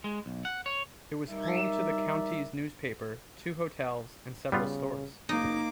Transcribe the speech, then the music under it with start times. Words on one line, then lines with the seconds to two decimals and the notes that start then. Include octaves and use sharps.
It was home to the County's newspaper, two hotels and several stores.
0.04 G#3
0.26 B1
0.45 F#5
0.66 C#5
1.28 G3 D#4 A#4 D5 E5
4.52 C#3 G3 B3 F4
5.29 F#1 A#3 D#4 D6